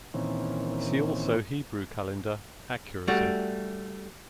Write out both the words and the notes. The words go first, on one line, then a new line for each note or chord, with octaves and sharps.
See also Hebrew calendar: Accuracy.
A#2 D#3 E3 C4 C#4
G3 A3 D4 F#4